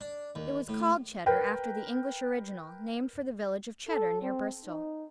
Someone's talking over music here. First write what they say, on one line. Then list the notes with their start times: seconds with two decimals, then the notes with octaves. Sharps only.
It was called Cheddar after the English original named for the village of Cheddar near Bristol.
0.01 D4
0.35 D#2
0.69 A2
1.26 A#4 B4 G5
3.88 A4
4.22 C4
4.65 D#4